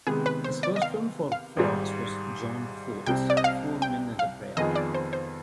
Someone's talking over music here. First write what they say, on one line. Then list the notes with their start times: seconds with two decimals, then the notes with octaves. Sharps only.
His first film for Fox was John Ford's "Four Men and a Prayer".
0.07 C3 D#3 G#3 B3 G#4
0.26 B4
0.44 C5
0.63 D5
0.76 D#5
0.82 F5
1.32 F5
1.56 G#1 G#2 G3
3.06 C2 C3 G3 C4 G5
3.30 D5
3.37 D#5
3.44 F5
3.82 G5
4.19 F5
4.57 F2 D#3 B3 F4 G#4 D#5
4.76 D5
4.94 C5
5.13 C5